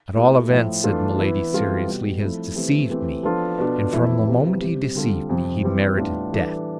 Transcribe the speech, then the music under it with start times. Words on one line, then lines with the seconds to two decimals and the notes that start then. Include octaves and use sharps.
"At all events," said Milady, seriously, "he has deceived me, and from the moment he deceived me, he merited death."
0.15 B2 A3 E4 G4
0.50 A2 F3 A3 E4
0.84 E3 A3 D4 F4
1.18 E3 B3 E4
1.52 E3 G3 C4 F4 A4
1.86 B2 G3 B3
2.20 F3 A3 C4 E4 A4
2.55 E3 A3 C4 G4
2.89 E3 A3 C4 G4
3.23 F3 B3 D4 F4 A4
3.58 B2 B3 D4 F4 A4
3.92 F2 E3 A3 E4 A4
4.27 C3 F3 B3 E4 G4
4.60 C3 G3 C4 G4
4.95 D3 G3 C4 F4 A4
5.29 F2 C3 F3
5.64 E3 G3 C4 G4
5.98 A2 G3 B3 D4 F4
6.33 E3 G3 D4 A4